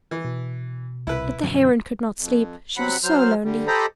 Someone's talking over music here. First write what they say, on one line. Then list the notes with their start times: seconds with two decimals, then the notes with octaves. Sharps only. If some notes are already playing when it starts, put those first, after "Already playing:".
But the Heron could not sleep, she was so lonely.
0.11 E3
0.25 B2
1.07 C2 E4 B4
1.43 F#2 D3 F3
2.19 F2
2.77 C3 F#3 F#5 B5
3.04 F#3 C5 F6
3.44 D3 G3
3.67 G4 A4 C5 D#5 A#5 B5